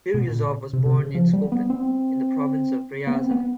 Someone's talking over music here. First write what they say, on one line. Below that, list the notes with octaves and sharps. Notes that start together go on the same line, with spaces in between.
Biryuzov was born in Skopin, in the province of Ryazan.
B2
A#2
C3
C3
C#3
F3
G3
B3
C4
B3
C4
B3